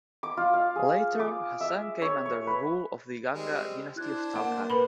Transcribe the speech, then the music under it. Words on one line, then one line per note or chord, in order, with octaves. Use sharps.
Later Hassan came under the rule of the Ganga Dynasty of Talkad.
D6
F4
F5
G#4
D6
E5
C#5
C#5
B4
G3 G#3 C4
D4 E4 C5 F#6 G#6
A#3 A#4 F#5
A#4 B4 B5